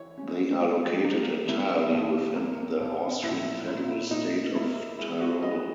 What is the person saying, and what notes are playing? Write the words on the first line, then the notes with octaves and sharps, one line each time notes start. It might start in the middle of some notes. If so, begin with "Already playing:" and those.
They are located entirely within the Austrian federal state of Tyrol.
Already playing: E3 C#5
C#4
C#4
A#3
A#3 E4
B1
A#3
B1
A#2 E4
A#2 E4
A#2 D#4
A#3 E4
G#3 E4
F#4
B3 D#5